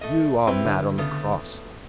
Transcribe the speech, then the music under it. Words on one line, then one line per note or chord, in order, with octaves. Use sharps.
You are mad on the cross.
A3 D#5
C4 E4 G4 B4
D3
C#3 A3 B3